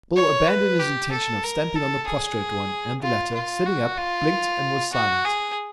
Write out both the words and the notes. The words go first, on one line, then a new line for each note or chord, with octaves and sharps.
Bill abandoned his intention of stamping on the prostrate one, and the latter, sitting up, blinked and was silent.
C#5
B4
G4
A4
A#4
A4
G#4
F4
F4
F#4
F4
F#4
G#4